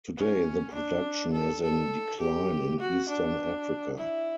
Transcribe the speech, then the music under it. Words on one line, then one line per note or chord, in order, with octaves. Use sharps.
Today the production is in decline in eastern Africa.
C#4
D4
A4
A4
G4
F#4
D4
E4